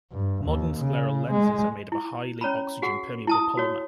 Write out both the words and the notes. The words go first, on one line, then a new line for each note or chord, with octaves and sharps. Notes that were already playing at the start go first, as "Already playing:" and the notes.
Modern scleral lenses are made of a highly oxygen permeable polymer.
G2
D#2
C#3
G#3
E4
C#4 C#5 A#5 B5
F#4 G#4 F#5
E4 A5 D#6
F#4 C#5